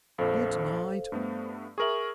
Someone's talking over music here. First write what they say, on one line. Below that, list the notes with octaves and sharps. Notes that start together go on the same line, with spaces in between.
Good night!'
A#1 F2 A4 C5 F5
G2 A3 B3
G#4 A#4 E5 C#6 F#7